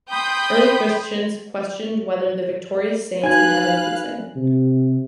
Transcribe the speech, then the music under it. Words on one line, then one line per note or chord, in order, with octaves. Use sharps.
Early Christians questioned whether the victorious saints in heaven could sin.
G5 B5 C6 D#6 G6
D#4 F#4 B4 F5 G#5 F#6 G#6
C3